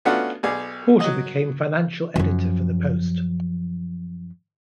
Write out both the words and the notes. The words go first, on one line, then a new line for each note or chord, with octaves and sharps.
Porter became financial editor for the "Post".
A3 B3 C#4 D4 F4 F#4
B1 G#4 D5
F#3 D#5
F#2 F3